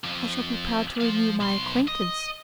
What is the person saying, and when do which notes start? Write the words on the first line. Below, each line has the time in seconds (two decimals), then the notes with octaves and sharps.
"I shall be proud to renew my acquaintance."
0.04 F2 F3
1.01 F3 F5
1.40 B1 C6
1.88 D#5